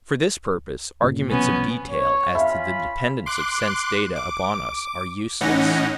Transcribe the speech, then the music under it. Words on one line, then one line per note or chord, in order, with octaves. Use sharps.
For this purpose arguments of detail as to the dependence of sense-data upon us are useless.
G1 A#2 C#3
C2 B2 F3 B3 C#4
C#5
C#4 F4 E5 F5 B5
C6 D6 F#6
D6
A2 E3 C#4 D#4 F#5 A#6